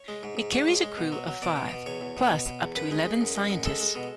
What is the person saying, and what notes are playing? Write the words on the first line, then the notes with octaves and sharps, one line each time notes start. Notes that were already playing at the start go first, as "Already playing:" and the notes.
It carries a crew of five, plus up to eleven scientists.
Already playing: C#5
G#3
G#2
G#2
G#2 C#5
G#2
G#3
B2
F#3
F#3
B2 D5
B2
B2
E2 C#5
E2
B2
B2
B2
E2
F#2 B4
G#3
G#3
F#2
G#3
F#2
G#3 A4
G#3
B2